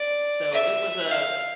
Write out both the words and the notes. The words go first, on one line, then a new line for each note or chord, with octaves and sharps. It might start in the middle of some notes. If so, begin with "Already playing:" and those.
So it was a
Already playing: D5
E5
F5